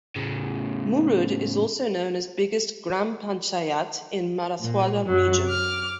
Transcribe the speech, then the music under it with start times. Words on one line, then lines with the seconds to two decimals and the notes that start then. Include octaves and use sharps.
Murud is also known as biggest "Gram Panchayat" in "Marathwada" region.
0.16 A2 C#3
4.60 A#2
5.06 F#2 F#3
5.46 D6 F6